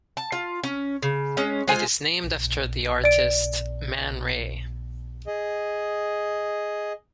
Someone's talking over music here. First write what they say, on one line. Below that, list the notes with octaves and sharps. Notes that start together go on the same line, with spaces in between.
It is named after the artist Man Ray.
A5
F4
C#4
C#3
G#3 C#4
G#3 F4 C5 G#5
D5 D7
G#4 D#5